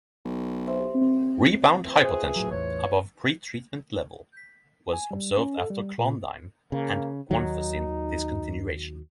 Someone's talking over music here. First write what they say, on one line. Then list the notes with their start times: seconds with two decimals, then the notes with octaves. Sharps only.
Rebound hypertension, above pre-treatment level, was observed after clonidine, and guanfacine discontinuation.
0.25 B1
1.84 E3 F3 C4
2.04 G#4 F#5
2.36 A2 F#3
2.51 A1 E2 C#5
4.93 G#5
5.11 G3
5.37 C#4
5.58 A4
5.70 G3
5.98 A#2
6.72 C#3 A#3
7.31 D#2 D#3 F#3 D#4